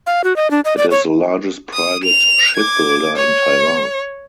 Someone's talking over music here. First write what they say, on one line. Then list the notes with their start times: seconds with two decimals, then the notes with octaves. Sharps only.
It is the largest private shipbuilder in Taiwan.
0.06 F5
0.24 F#4
0.36 D#5
0.51 D4
0.65 D#5
0.77 D5
0.91 C#5
1.73 D#6
2.04 F7
2.57 D6 G#6
3.16 C#5